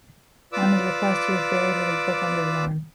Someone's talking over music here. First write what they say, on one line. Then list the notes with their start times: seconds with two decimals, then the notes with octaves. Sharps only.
On his request he was buried with this book under his arm.
0.53 F4 B4 D5 D6 E6